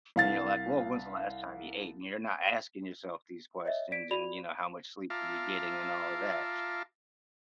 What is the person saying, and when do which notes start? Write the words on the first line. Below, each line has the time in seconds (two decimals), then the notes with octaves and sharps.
And you're like, "Woah. When's the last time you ate?" You're not asking yourself these questions and, you know, "How much sleep were you getting," and all of that,
0.16 C2 F5 A6
3.65 C#5 D#5 E5
3.92 D5 B6 D7
4.11 F#4 D5 B5 F7
5.10 F4 E5 F5 A5 A#5 D6